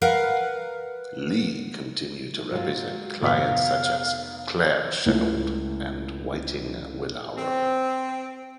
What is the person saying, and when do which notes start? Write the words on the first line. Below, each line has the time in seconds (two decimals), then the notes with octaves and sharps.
Lee continued to represent clients such as Claire Chennault and Whiting Willaurer.
0.02 A#4 B4 F5 F#5
2.52 F#3 G#3 F4
3.23 F1 B3 F5 B6
5.06 C#2 A3 E4
7.36 C4